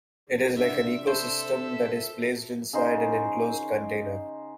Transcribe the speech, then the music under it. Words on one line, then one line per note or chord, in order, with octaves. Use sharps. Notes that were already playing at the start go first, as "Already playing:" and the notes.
It is like an ecosystem that is placed inside an enclosed container.
C3 D4 E5
A4 C5 E5
C#3 D#4 C5